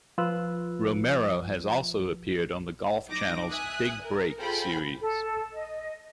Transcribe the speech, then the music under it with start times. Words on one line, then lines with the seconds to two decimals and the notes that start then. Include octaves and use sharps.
Romero has also appeared on The Golf Channel's "Big Break" series.
0.18 F3 F4 B4 E6 F#6
3.08 F#3 D#4 D6 A#6
3.48 E5 G#5 D#6 F#6
4.02 A#4
4.39 F4 G#4 A4 C5 G5 B5
5.01 A4
5.54 D#5